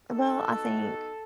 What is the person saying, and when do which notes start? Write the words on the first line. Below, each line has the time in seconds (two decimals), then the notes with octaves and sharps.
Well, I think
0.09 B3 D#4 F#4 A4